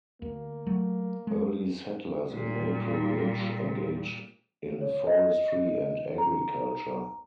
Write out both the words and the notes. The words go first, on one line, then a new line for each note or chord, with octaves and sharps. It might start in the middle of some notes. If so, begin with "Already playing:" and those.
Early settlers in Maple Ridge engaged in forestry and agriculture.
D2 A#3
F#3 A3
G#3
A#2 G3
C#5
D#5
A#5